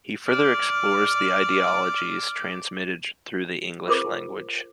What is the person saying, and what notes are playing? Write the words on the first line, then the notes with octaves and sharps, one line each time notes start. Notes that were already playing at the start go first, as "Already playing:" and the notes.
He further explores the ideologies transmitted through the English language.
D5 F6
F4 G#4 A#4 C5 D6